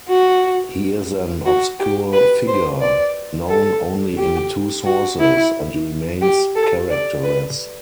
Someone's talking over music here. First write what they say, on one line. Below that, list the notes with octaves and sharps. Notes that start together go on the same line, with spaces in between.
He is an obscure figure, known only in two sources, and remains characterless.
F#4
F#4
G4
B4
C5
D5
A4
G4
F#4
E4
G4
A4
D5
B4